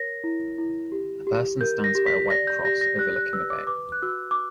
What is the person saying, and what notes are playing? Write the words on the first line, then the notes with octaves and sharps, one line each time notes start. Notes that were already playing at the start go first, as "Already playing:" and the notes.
A person stands by a white cross overlooking a bay.
Already playing: A#4 C#5 A#6
E4
E4
G4
G4
A#4 G6
A#6
G4
B6
D5 A#6
G6
G4 A#6
A#6
G4 F#6
F#6
B4 E6
D6
B4 D6
F#6
F#4 E6
D6